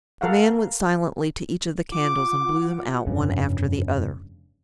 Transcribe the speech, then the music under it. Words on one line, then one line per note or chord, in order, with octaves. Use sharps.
The man went silently to each of the candles and blew them out one after the other.
A4 A#4 F5 F#5
F4 F#5 D6
F1 G2 C#3